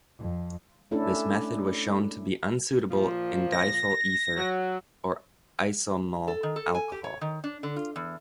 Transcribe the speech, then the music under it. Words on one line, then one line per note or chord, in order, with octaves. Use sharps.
This method was shown to be unsuitable in diethyl ether or isoamyl alcohol.
F2
A3 C#4 D4 E4 A4
A#2 F3
A#6
F#3
A4
D#3
A4
G#5
G4
C#5
D#3
D4
D3
F4
E2